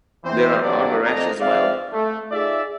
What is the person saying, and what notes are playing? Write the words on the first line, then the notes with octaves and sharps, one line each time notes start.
There are Arbereshe as well.
E2 E3 C4 C5
B1 E2 G2 F#3 C4 D5
F2 A3 C4 D4 D#5 A#5
F3 G#3 C4 D5 E5 F5
A3
D#4 F4 G#4 D5 E5